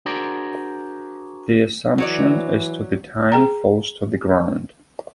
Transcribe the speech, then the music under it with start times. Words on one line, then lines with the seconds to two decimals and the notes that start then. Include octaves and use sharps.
The assumption as to the time falls to the ground.
0.06 D4 F#4 G#4 A#4 C5 D5
1.98 E3 F#3 C#5 D5
3.32 G#4 G5 A#5